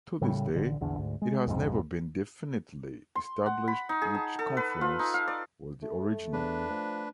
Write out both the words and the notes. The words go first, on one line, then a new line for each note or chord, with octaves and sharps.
To this day, it has never been definitively established which conference was the original.
A2 C#3 G3
A1 D3
A#1 E2 D3
D2 G#2
G#3
B1 F2 G#2 C3
C6
F#5
B5
D#4
G#4
A5
A4
B4
F4
D#4
F5
D5
A3
E2 D4 B4
F3 A3